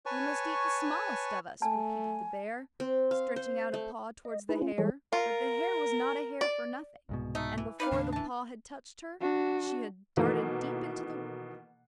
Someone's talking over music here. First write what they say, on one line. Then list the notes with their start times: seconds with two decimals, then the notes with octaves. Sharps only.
'We must eat the smallest of us,' repeated the bear, stretching out a paw towards the hare; but the hare was not a hare for nothing, and before the paw had touched her, she had darted deep into the wood.
0.06 B4 C#5 G#5 A5 C#6
1.62 A3 G#5 A5
2.80 C4
3.11 F5
3.36 C5
3.74 A3
4.25 D#5
4.49 D#4 E4 G#4 B4
4.62 C#4 F4
4.78 E3 G3 G#3 G#4 A4 C#5
5.13 F4 A#4
6.41 D5
7.09 C2 G#2 B2
7.35 A3 D#4
7.58 E3
7.80 D#4 B4 D5 F5
7.92 D#2 A2 C#3 D4
8.12 E3 A5
9.21 D4 F#4
10.17 B2 D#3 E3 A3 A#3